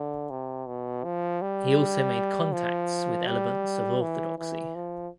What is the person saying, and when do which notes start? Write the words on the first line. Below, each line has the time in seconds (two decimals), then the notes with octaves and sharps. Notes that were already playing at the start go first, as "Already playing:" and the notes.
He also made contacts with elements of Orthodoxy.
Already playing: D3
0.30 C3
0.67 B2
1.04 F3
1.42 G3
2.53 F3
3.27 G3
4.02 E3
4.38 E3
4.75 F3